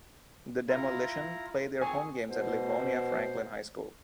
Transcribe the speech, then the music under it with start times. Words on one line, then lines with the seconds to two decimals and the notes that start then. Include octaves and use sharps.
The Demolition play their home games at Livonia Franklin High School.
0.69 E4 F4 A#5
1.81 C4 G#4 G#5 C#6
2.30 B2 C5